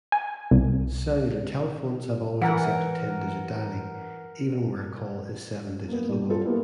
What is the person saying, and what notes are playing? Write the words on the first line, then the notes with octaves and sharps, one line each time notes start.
Cellular telephones have always accepted ten-digit dialing, even where a call is seven-digit local.
G#5
C2
E3 A#4 F#5
A#3 B3
G2 G3
F#3 C4 F4 A4
G3 A#3 B3 E4